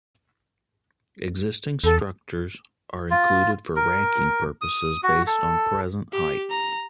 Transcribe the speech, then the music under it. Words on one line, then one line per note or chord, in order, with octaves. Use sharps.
Existing structures are included for ranking purposes based on present height.
E2 A4
F4
A#4
D#6
F#4
A4
G4
A#5